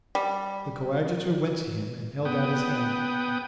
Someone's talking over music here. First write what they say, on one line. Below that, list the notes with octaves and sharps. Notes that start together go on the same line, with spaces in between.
The coadjutor went to him and held out his hand.
G3
B3 G5 D#6